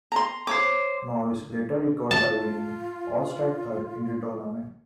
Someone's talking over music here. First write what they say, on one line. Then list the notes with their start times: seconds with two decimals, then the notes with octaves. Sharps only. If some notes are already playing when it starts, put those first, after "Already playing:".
Morris later recovered by winning all-star third in the tournament.
0.12 A#5 C6
0.47 C5 C#5 D6
2.11 F4 A5